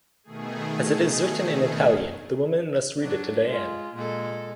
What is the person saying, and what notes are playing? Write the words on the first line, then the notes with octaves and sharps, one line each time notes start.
As it is written in Italian the woman must read it to Diane.
B2 D#3 A3 G#4
F#3 D4
G#3 F4
A#2 G#3 A4